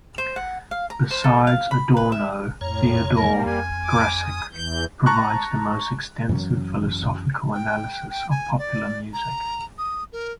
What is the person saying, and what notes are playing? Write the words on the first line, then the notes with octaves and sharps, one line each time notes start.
Besides Adorno, Theodore Gracyk provides the most extensive philosophical analysis of popular music.
C5
F#5
F5
A#5
C5
A4
F5
B5
B4
E5
F2 A2 C#5 A#5
G3 A#3 A#4
F2 G#5
D6
D#6
E2 E3 G6
A5 A#5 C#6 F#6
F#2 E3 F#3 C#4
G5
G5
G#5
D5
A#5
D#6
A#4